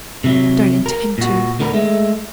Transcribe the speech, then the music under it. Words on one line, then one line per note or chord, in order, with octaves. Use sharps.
'Don't intend to.
C3 E3 F#3
A#4
A#2 F#4
D2 D3 B3 A#4
G#3 A3